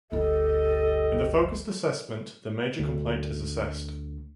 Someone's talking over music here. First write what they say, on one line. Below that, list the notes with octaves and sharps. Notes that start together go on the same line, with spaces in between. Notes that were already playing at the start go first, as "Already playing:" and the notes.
In the focused assessment, the major complaint is assessed.
G1 D2 G4 A4 D#5
D2